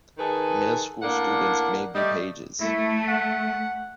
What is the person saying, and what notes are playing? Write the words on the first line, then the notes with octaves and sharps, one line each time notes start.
Middle school students may be pages.
D#3 G#4 A4 B4
A2 A#3 D4 F#5
G3 A3 D5 D#5
A3 E4
F#5